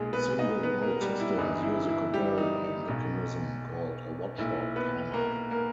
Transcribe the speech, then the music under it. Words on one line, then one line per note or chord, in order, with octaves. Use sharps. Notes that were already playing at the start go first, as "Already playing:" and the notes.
Single node systems use a comparable mechanism called a watchdog timer.
Already playing: B1 A#2 G#3 G#4
B3 B4
D#4 D#5
B3 B4
A#3 A#4
G3 G4
E4
G1 G2 E3 D#4
E4
E4
G3 G4
D#4
D#4
B1 B2
B1 A#2 E4
B3 B4
A#3 A#4
A#3 A#4